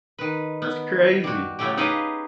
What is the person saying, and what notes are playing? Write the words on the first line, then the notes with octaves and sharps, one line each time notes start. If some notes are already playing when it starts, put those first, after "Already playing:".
That's crazy.
D#3 B4
B3
G3 F#4
A2 C#3 F#3 A3 C#4 G4
D#4 G4 G#4 B4 D#5 F5